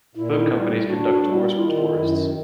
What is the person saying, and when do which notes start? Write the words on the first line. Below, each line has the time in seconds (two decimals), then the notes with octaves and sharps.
Boat companies conduct tours for tourists.
0.15 A#2 E4
0.40 D#4
0.52 G3 F4
0.63 E4
0.87 D4 F#4
1.11 F#4
1.22 G3
1.34 E4
1.58 D#3 F4
1.74 F4
1.82 E4
1.93 F#2